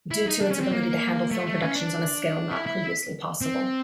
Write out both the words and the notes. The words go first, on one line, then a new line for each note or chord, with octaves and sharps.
Due to its ability to handle film productions on a scale not previously possible.
E4
D#4
D4
C#4
C4
A#3
A3
A3
C#4
D4
E4
E4
C4